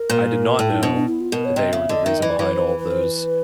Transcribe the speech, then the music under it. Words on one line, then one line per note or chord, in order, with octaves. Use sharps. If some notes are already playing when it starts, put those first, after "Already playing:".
I did not know that they were the reason behind all those,
Already playing: A#4
A#2
A2 A4
D#4
B2 D4
D4
E4
F4
B2 A#4
C#5
C3 D#5
C#3 E5
D3 D#5
D#3 E5
E3 D#5
D5
E3 C#5
C5
B4
B4
C5
B4